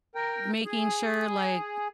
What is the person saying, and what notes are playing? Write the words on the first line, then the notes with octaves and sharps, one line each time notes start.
making sure, like,
A#4 G5
G#4